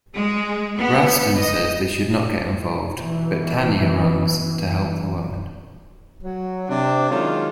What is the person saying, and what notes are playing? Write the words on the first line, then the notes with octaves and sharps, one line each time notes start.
Rastenn says they should not get involved, but Tannier runs to help the woman.
G#3
B3
D#5
B2 E3
F#3
C3 D4
D#3 F#3 G#3 C#4 D4 F4